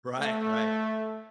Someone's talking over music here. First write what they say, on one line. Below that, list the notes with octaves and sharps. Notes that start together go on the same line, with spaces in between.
Right, right.
A3